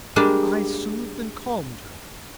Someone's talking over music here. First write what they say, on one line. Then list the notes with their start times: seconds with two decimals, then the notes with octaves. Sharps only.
I soothed and calmed her.
0.16 G3 G#3 A#3 D4 G4